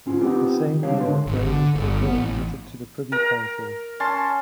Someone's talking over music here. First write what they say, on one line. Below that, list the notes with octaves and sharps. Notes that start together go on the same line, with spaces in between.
The same year Grey was also admitted to the Privy Council.
G#2 C#4 F4
B3 C4 D#4 F4 G4
D#3
C#2 G3 D4 C#5 F5
G#2 D3 A#4 C6
G#1
D3
G1
B3
A1
A#4 A#5
C#4 A5 C6